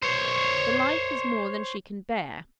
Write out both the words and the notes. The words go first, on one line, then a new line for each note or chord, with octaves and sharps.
The life is more than she can bear.
C5 C#5